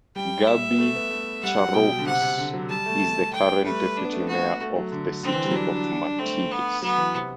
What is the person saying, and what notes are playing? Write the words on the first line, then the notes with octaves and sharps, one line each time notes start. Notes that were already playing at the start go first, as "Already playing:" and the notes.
Gaby Charroux is the current deputy Mayor of the City of Martigues.
G3 G5
E5
B3
A3
B3
A3
G3 F#5
F#3
B2 G5
D3
C3 F#5
C3
D3
F#3
G3 A5
A3
G5
G3
A3 B4
D4
B3
A3
B3
A3 F#4
A3
F#3
D3
D3 C4
E3
G3
F#3
G3 D4
A3 C4
B3
F#3 B3
E3
C3